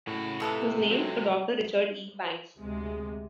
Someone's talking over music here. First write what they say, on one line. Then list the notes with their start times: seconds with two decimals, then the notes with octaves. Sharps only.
It was named for Doctor Richard E. Banks.
0.07 A2 C#3 F#4
0.40 F2 C3 A4 B4
0.91 C3 F#3 G#3 C4
2.58 D2 C3 G#3